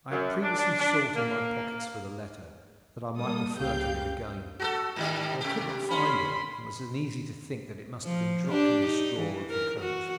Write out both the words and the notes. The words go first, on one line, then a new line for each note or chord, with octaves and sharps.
I had previously sought in my pockets for the letter, that I might refer to it again; but I could not find it, and was uneasy to think that it must have been dropped in the straw of the coach.
F#2
D4
D4
D4
A#3
G3 A#3 A4 D#6
C#2 C#3 G4 F5 G5 G6
F#4 G#4 A4
G#2 D#3 G3
C3 G4
G3 C#4 B5 C6
F3
D4 G4
D#4
E3
A#4
F#4